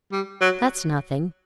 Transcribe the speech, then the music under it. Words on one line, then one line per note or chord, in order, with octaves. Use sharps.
'That's nothing.
G3
F#3